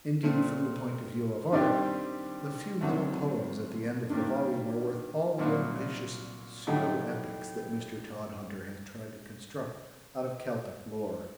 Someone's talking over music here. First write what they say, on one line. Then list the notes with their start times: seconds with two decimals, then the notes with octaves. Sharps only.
Indeed, from the point of view of art, the few little poems at the end of the volume are worth all the ambitious pseudo-epics that Mr. Todhunter has tried to construct out of Celtic lore.
0.23 A#2 A3 C4
1.52 G2 D#3 G3 C4 G4
2.81 D2 C3 F#3
4.10 G2 D#3 G3 A#3
5.38 C2 A#2 F#3 A#3 D4
6.67 A2 F#3 A3 D#4 G4